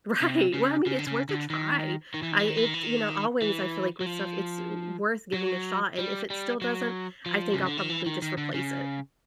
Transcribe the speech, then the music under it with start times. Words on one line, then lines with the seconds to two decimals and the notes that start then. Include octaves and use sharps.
Right. Well, I mean, it's worth a try. I it's you know, always, feel like with stuff, it's w w worth giving a shot, and if it still doesn't, I think I'll probably just replace it.
0.22 C3
0.54 C#3
0.86 C#3
0.99 D3
1.07 C#3
1.29 D3
1.50 D#3
2.14 D#3
2.22 E3
2.32 D#3
2.39 E3
2.48 D#3
2.57 E3
2.65 D#3
2.74 E3
2.83 D#3
3.42 E3
4.01 F#3
4.06 F3
5.34 F#3
5.98 G3
6.30 G3
6.62 F#3
7.26 F3
7.54 C#3
7.66 D3
7.78 D#3
7.90 E3
8.06 D#3
8.22 D#3
8.37 D3
8.54 C#3